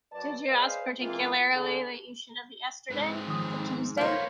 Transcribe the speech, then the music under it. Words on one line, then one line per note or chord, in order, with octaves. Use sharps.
Did you ask particularly that you should have yesterday, the Tuesday?
F#2 B4 D5 A5
G#4 B4 C5 D5 D#5 F5
E3 G#3 A#3 C4 F4
D3 G#4
G#2 C4 B4
D#3 F3 D#6
A#3 B3 C5 C#5 F5